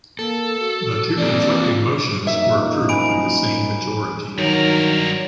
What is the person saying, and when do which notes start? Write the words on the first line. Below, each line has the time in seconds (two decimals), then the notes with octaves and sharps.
The two conflicting motions were approved by the same majority.
0.19 A#3 A4
0.60 F#4
1.18 A#3 C4 D4 D5
1.59 F4
2.27 F#2 F3 A#3 D#4 E5
2.89 G#5 B5 D7
4.38 G2 D#3 F#3 A#4